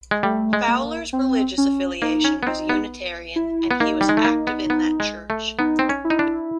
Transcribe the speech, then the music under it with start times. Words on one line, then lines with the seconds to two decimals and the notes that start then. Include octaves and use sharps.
Fowler's religious affiliation was Unitarian, and he was active in that church.
0.11 G#3
0.23 G3 A3
0.53 G#3
0.68 A#3
1.13 C4
1.58 C#4
2.02 A#3 D#4
2.24 C#4
2.43 B3
2.47 C4 D#4
2.69 B3
3.36 E4
3.71 B3
3.80 A#3 D#4
4.01 G3
4.09 G#3
4.17 A3
4.25 A#3
4.47 B3
4.70 B3
5.00 G#3
5.30 A3
5.59 B3 D#4
5.79 C4
5.89 C#4
6.04 E4
6.10 D#4
6.19 D4